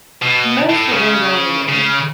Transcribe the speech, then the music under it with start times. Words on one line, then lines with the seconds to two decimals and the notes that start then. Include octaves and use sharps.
Most of them don't either.
0.22 B2
0.70 A2
0.92 C#3
1.69 C#3